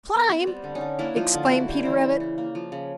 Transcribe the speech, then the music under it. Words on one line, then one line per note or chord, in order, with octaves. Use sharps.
"Climb!" exclaimed Peter Rabbit.
B3
B3 C4
G3
D3
C#4 D#4
D3
A#3 D4 E4
F3 D#4 F4
D3
D3 E4 F#4
G3 C5
E3 A#4 C5
C#3
C#3
A#3
F3
C#3